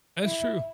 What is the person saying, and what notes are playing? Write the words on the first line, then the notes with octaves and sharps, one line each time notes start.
That's true.
E4